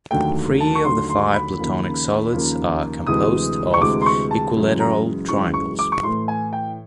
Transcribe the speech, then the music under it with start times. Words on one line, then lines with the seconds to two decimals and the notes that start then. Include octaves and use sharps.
Three of the five Platonic solids are composed of equilateral triangles.
0.11 D#2 D3 F#3 A3 G5
0.60 A5
0.75 C#6
0.85 D#2 D3 F#3 A3 C6
1.09 C6
1.34 B5
1.59 D#2 C#3 F3 A#3
2.33 D#2 C#3 F3 A#3
3.07 D2 C3 E3 G#3 D#6
3.74 C#6
3.81 D2 C3 E3 G#3 D6
4.01 C6
4.06 C#6
4.31 A5
4.55 F#2 C#3 E3 G#3 C#4
4.80 A#5
5.29 F#2 C#3 E3 G#3 C#4 C#6
5.54 C#6
5.79 D6
5.92 C#6
6.03 A2 E3 A3 C6
6.28 G#5
6.53 G5